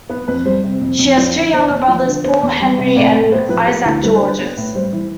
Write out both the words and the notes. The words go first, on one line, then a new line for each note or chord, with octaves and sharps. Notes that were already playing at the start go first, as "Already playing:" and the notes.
She has two younger brothers, Paul Henri and Isaac Georges.
B3 B4
F2 B4
G3 C5
C3
F2
F2
F3 D5
D3
E2 C5
E2
F3
D3
B3 C5
E2
G3
C3
A2 D5
A2
B3 C5
F3 B4
B3 G4
D2 E4
G3 B4
D3 C5
B4
B3
A2
G3 C5
E3